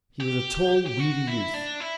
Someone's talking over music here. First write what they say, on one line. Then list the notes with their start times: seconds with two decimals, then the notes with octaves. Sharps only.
He was a tall, weedy youth.
0.20 G4
0.86 G4
1.00 F#4
1.27 E4
1.54 D4
1.80 E4